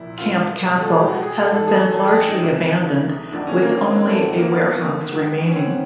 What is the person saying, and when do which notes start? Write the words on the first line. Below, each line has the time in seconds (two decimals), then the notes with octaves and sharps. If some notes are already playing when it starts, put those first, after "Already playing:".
Camp Castle has been largely abandoned, with only a warehouse remaining.
Already playing: C2 A#2 F3 E4
0.18 F4
0.63 C#2 B2 F#3
0.80 A4
0.90 G#4
0.99 G4
1.08 F#4
1.23 G#4
1.38 A4
1.52 G#2 E3 A4
1.68 G#4
1.82 A4
1.98 A4
2.08 G#4
2.12 G4
2.28 D#4
2.42 C2 C3 E3
3.32 F#2 D#3 F#3 D4
3.47 C#4
3.62 A#3
3.77 C4
3.92 C4
4.06 A3
4.21 F#2 D#3 F#3
4.37 A#3
4.51 B3
5.11 G#2 D#3 F#3
5.48 C#4
5.56 C4